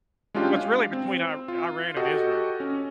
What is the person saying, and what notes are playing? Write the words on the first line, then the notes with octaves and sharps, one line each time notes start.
So it's really between Ir Iran and Israel.
G#3 C#4 D4 F4 G4
F5
C4
F4
F#4 G4 A4 D#5
C#4